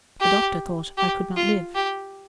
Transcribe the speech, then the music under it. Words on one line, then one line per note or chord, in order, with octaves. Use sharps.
The doctor thought I could not live.
G4
G4
F4
G4